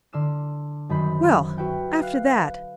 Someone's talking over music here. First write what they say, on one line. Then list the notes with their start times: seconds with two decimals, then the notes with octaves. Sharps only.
Well, after that...
0.13 D3 C6 E6 F6 E7
0.89 F#2 D#3 F#3 C5 B5 G6
1.58 F#4 B4 E5 F#5 G5
2.01 F5 F#6